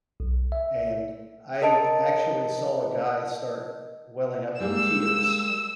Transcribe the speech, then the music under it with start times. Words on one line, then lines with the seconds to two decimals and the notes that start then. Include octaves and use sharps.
and I actually saw a guy start welling up in tears.
0.20 B1
0.52 E5
1.62 A#4 D#5 A5 D7
4.60 G3 G#3 A#3 E6